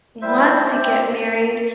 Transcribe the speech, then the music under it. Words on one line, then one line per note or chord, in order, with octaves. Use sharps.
wants to get married,
G3 E4 C5 E5
C4 G4 C5 E5